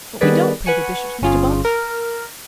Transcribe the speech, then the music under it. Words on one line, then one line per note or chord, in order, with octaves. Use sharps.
"But we don't pay the bishops, Mr. Bunce."
D#3 G3 B3 G#4 B4 D5
B4 F#5 G#5 C#6
G1 C#4 F4 G#4
A#4